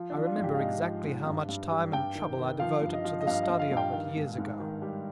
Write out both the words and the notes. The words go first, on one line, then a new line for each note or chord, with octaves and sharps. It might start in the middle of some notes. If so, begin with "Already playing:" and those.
I remember exactly how much time and trouble I devoted to the study of it, years ago.
Already playing: F3
D4
F3
F4
G#2
G4
F5
G#2 D#5
F3
G#2
G2
G2
G3
G2 G5
D#3
D#3
F3 F5
G2
D#5
F3
D#5
G2 F5
D#5
G2
F5
G2
G5
D#3 F5
G#2
G#2
D#3
G3